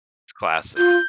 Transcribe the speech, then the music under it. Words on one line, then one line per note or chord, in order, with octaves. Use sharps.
It's classic.
F4 G6